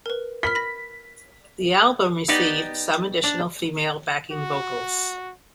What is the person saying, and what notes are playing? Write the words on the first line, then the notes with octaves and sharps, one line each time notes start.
The album received some additional female backing vocals.
A#4 B4
A#4 B5 F6 B6
B5 A#6
B3 D#4 G4 D5 D#5
D4
F#4